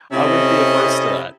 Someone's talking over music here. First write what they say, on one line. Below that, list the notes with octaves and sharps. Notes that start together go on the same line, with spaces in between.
I wouldn't be adverse to that.
C3 C4 C#4 E4 A4 D#5